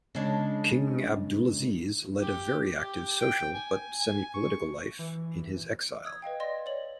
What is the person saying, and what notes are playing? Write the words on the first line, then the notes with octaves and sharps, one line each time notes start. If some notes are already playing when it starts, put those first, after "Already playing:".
King Abdulaziz led a very active social, but semi-political life in his exile.
C#3 G#3 D4
G4
G4
G5
G#5
G#5
C#6
E3
D#6 E6 G#6
B4 D#5 F5 G5
D5 D#5 C6 A#6
C#5 D5 F#7